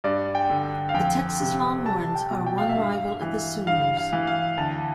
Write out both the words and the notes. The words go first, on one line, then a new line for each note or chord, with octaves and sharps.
The Texas Longhorns are one rival of the Sooners.
G2 D5
G5
D3
F5
F2 G5
C3
C2 A5
G5
B2
G5
F5
E5
G2
F5
E3
G2 F5
F5
E3
F5
D2 A5